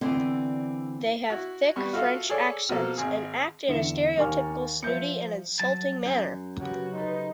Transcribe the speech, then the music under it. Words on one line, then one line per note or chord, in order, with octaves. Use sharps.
They have thick French accents and act in a stereotypical snooty and insulting manner.
D3 E3 B3 C4 D4
E4 F#4
G3 B3 C#6
F4 F#4 A4 E5 F5
G#4 A4 C#5 D5
B2 F3 A#3 A4
G#1 G#4
E2 D3 E4 E5 C#7 E7
D#2 D#3 A#4 G#5 C#6 F6
F3 E5 G6 C#7
F#3 A5
F#2
C#3 B3 F#4 G4
D#4 A4 B4 C5